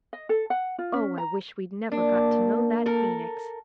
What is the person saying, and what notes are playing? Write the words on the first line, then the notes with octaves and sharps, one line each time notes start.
Oh, I wish we'd never got to know that Phoenix.'
D#5
A4
F#5
F4
C#4
A#5
A#3 D4
A4 A#4